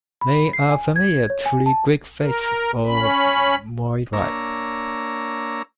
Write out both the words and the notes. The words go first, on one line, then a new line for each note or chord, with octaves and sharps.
They are similar to the Greek Fates or Moirai.
B5
C7
G#5
G#6
C#5
G#5
A5
A#4
C#4 B5
A#3 D4 C#5 A#5 E6